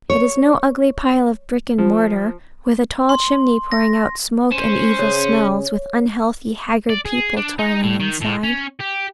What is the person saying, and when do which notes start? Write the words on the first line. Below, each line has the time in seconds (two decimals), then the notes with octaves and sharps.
It is no ugly pile of brick and mortar, with a tall chimney pouring out smoke and evil smells, with unhealthy, haggard people toiling inside.
0.10 C#5
1.78 F3
3.09 C6
3.72 A#6
4.52 C#4 C5 E7
4.99 C#3 G#4 C#5
6.89 D5
7.05 G#4
7.37 D4
7.59 D#4
7.83 A2
8.00 D#3
8.21 A2
8.43 C#4
8.80 G4